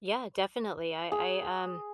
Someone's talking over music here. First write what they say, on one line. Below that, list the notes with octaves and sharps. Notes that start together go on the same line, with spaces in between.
Yeah. Definitely. I I, um,
G#4